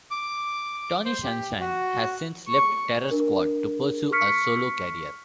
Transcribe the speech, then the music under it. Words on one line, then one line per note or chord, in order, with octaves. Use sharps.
Tony Sunshine has since left Terror Squad to pursue a solo career.
D6
C5
G4
F#4
C#6
D4 A#4
C#6 F6 B6 C#7